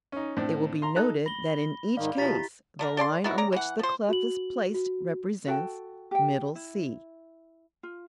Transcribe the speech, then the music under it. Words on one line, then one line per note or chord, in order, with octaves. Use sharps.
It will be noted that in each case the line on which the clef is placed represents "middle C."
C#4 D#4
A2 C4 D4
A#5 C6
D#4 A4 F#6
B5 A#6 G7
G#2 D#3 D5 F5
B2 F3 E4 G4 A#5 A6 B6
D3 A3 A#4
A4 D5 G#5 C6
B3 D#4 E4 F#4
C#3 D5 A#5
E3 F#5
F3 C5
F#4 F#7
F#4
F#4 A4 G5
G4 G5
E4
F4